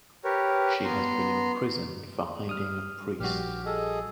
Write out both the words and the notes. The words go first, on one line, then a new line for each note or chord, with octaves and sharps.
She had been imprisoned for hiding a priest.
G4 A#4 B4 C#5
B3 A#5 C6
G3 D#6 F6
A#1 G3 F#4 G4 F6
G#4 A4 D#5